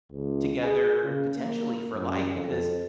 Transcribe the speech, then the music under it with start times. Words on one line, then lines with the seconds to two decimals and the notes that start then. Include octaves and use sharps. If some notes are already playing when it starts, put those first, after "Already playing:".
together potentially for life because
0.12 C#2
0.62 G#4
1.04 C#3
1.36 A#3
1.93 F#2
2.34 F2